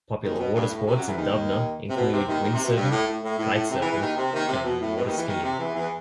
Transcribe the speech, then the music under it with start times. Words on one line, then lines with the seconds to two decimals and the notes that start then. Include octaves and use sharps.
Popular water sports in Dubna include windsurfing, kitesurfing, and water-skiing.
0.22 D#2 D#3
0.37 B2
0.53 G2
0.69 A2
0.85 C3
0.95 F#2 F#3
1.06 E2 E3
1.16 D#2 D#3
1.88 C3
1.95 B2
2.12 C3
2.27 D#2 D#3
2.42 D#2 D#3
2.53 C3
2.63 B2
2.74 G2
2.91 A2
3.06 A2
3.22 A2
3.38 A2
3.53 A2
3.69 C3
3.79 E2 E3
3.90 E2 E3
4.00 D#2 D#3
4.16 C3
4.32 D#2 D#3
4.48 C3
4.64 B2
4.80 A2
4.95 B2
5.06 D#2 D#3
5.16 E2 E3
5.27 D#2 D#3
5.42 C3
5.58 E2 E3
5.74 E2 E3